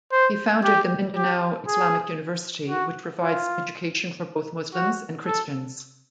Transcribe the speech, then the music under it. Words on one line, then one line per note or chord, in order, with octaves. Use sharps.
He founded the Mindanao Islamic University which provides education for both Muslims and Christians.
C5
G4
G4
G#4
F#4
F4
F#4
A4